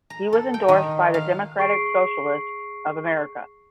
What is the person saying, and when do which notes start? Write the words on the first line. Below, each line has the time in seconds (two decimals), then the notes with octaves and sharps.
He was endorsed by the Democratic Socialists of America.
0.10 A#5
0.33 A4
0.54 G5
0.68 D#3
1.14 F5
1.58 G#4 C#6 C7 D7